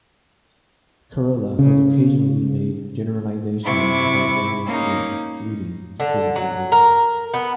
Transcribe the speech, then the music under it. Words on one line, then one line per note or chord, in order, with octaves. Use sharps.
Carolla has occasionally made generalizations about various groups, leading to criticism.
C#3
C3 E4 B5 C#6 D6
A#3 C#4 D#4
D3
F#3
A#4
B3